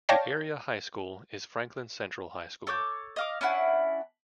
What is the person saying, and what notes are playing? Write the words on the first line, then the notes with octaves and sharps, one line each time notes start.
The area high school is Franklin Central High School.
C#5 D5 F5 G5 A5 A#6
A4 C#5 D6 G6
D#5 F5 D6
C#4 D4 E4 F#5